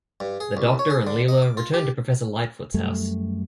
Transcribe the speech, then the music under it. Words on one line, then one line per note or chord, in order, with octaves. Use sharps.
The Doctor and Leela return to Professor Litefoot's house.
G2
G#4
C2
C#5
G#4
D3
D#5
D6
F4
G4
F#2 G3 A3